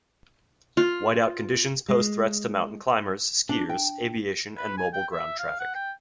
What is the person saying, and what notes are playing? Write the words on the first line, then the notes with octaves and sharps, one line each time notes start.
Whiteout conditions pose threats to mountain climbers, skiers, aviation, and mobile ground traffic.
F4
G#3
D4
G5
B4
G#5
G5
E5
F5
F#5
G5